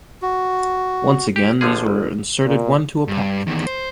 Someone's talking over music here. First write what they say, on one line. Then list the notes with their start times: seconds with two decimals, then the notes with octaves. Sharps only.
Once again these were inserted one-to-a-pack.
0.22 F#4
1.36 G4
1.61 A1 D3 F3 G#4
1.86 G1
2.46 A#2
3.08 G2
3.47 E2 D#3
3.67 C5